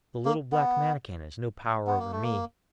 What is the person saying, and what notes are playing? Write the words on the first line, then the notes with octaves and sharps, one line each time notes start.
The little black Mannikin has no power over me.'
A#3
B3
B3
A#3
A3
A#3